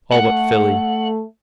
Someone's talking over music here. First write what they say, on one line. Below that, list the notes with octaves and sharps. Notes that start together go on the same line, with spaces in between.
All but Philly.
A3 F#5